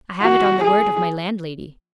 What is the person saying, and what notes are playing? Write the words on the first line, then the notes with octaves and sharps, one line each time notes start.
I have it on the word of my landlady.'
F#4
G#4